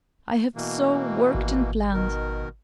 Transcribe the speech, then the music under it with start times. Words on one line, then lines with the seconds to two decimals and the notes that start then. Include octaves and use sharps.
I have so worked and planned.
0.56 B2 E3 A#3
1.35 G#1
1.94 B2 D#3 A#4